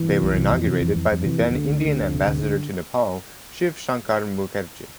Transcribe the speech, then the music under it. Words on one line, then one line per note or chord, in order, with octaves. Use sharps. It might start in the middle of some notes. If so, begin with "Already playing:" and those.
They were inaugurated by the then Indian ambassador to Nepal Shiv Shankar Mukherjee.
Already playing: E3
C3
C2
C3
F2
C3
F2
F2
F2
C3 E3
F2
E3
D2 D3
D2
D2
D2
C3
D2
D2